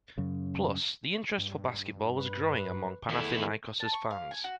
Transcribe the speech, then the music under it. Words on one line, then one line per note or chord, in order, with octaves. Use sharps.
Plus, the interest for basketball was growing among Panathinaikos's fans.
F#2 C#3
G2
B4
E2 D#3 A3 E4
A5
C#6
F5
G#5
F#4